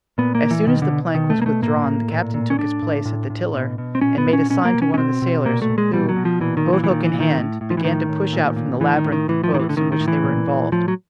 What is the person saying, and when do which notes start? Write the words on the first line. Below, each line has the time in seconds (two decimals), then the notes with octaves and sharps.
As soon as the plank was withdrawn the captain took his place at the tiller and made a sign to one of the sailors, who, boat-hook in hand, began to push out from the labyrinth of boats in which they were involved.
0.18 A#2 B3
0.35 A#3
0.43 A#2
0.51 E3
0.67 B2 D#3
0.82 D3
0.90 B2
1.15 B2 D#3
1.30 A3
1.38 B2 A#3
1.46 A3
1.62 A2 A#3
1.86 A2
2.10 A#2
2.34 A#2
2.50 C#4
2.58 A2 D4
2.82 A2
3.05 A2
3.30 A2
3.54 B2
3.78 B2
3.95 C4
4.01 A#2 C#4
4.18 B3
4.26 A#2
4.33 C#4
4.50 B2 C#4
4.65 A#3
4.74 B2
4.82 C#4
4.94 C#4
4.97 B2 C4
5.22 B2
5.45 A#2 A#3
5.62 A3
5.70 A#2
5.78 G#3
5.93 B2 G3
6.09 F#3
6.16 B2
6.25 F3
6.40 A#2 E3
6.57 D#3
6.65 A#2
6.73 E3
6.84 E3
6.89 A#2 D#3
7.04 E3
7.13 A#2
7.20 D#3
7.37 A2
7.61 A2
7.70 F3
7.77 E3
7.84 A2 D#3
8.09 A2
8.33 A#2
8.56 A#2
8.80 A2 E3
8.97 D#3
9.04 A2
9.12 D#3
9.28 A2 E3
9.44 F3
9.52 A2 D#3
9.60 E3
9.69 D3
9.76 A2 D#3
9.92 D#3
10.00 A2
10.08 E3
10.24 A#2
10.47 A#2
10.72 A2 F3
10.88 F#3